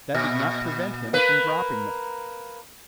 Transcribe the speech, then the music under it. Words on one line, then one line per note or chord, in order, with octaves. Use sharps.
That did not prevent him from dropping them.
A#2
A#3 B4